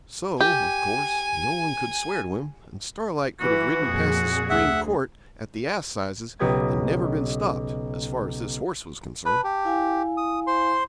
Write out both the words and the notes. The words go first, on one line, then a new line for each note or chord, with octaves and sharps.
So, of course, no one could swear to him, and Starlight could have ridden past the Supreme Court, at the assizes, and never been stopped, as far as this horse was concerned.
G4 G#5
E3 F#4
F2 A#2 G#4
D2 E5 F#5
B1 C#3 G4 B4 D#5 G#6
B4 A5
G4
E4 F5 G#5
D#6
C5 C6